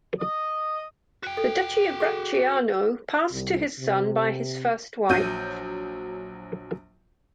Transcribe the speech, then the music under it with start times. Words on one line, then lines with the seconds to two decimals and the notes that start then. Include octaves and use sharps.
The duchy of Bracciano passed to his son by his first wife.
0.20 D#5 D#6
1.23 F#4 G5
1.37 A4
2.00 G#4 A4 F#5
3.32 C2
3.79 C3
5.09 A#1 F#3 G6 D#7